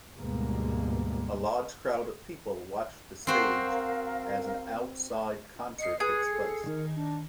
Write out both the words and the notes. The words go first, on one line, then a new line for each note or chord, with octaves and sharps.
A large crowd of people watch the stage as an outside concert takes place.
D2 G#2 B2 G3 G#3 A#3
C4 F#4 A#4 C5 F5
D#5 C7 C#7
G#4 B4
A4
D#3 A#4
D4